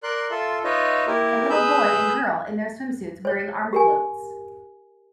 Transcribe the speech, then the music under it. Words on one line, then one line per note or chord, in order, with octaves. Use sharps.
A little boy and girl in their swimsuits wearing arm floats.
A#4 D5 C6 F#6
F4 A4 E5 C6
D#4 F4 B4 C#5 D#5 E5
A#3 E4 G4 A#4
G#4 B4 B5 E6 G6
C5 C#5
G4 A#4 G#5